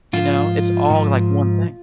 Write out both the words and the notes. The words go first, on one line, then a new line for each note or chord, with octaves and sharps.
you know, it's all like one thing.
G#2 F3 F4
G#2 F3